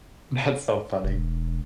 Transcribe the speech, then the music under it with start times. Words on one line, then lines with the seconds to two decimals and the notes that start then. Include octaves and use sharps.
That's so funny.
1.04 E1